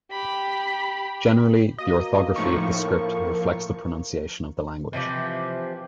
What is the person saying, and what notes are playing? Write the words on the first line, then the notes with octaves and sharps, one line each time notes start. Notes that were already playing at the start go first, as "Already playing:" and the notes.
Generally the orthography of the script reflects the pronunciation of the language.
G4 B5
A#3 F#4 D#5
A2 F3 D#4 C#6
A#4
C3 E3 F3 G4